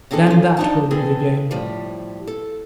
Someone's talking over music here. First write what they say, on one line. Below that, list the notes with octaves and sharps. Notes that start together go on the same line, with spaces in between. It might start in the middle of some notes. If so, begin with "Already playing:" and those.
Then that will be the game.
B3 C4 D4 G#4 A4
C#4 F4
D4 D#4 A5
D3 E3 C4 G#4 A4
A2 F3 G3
A4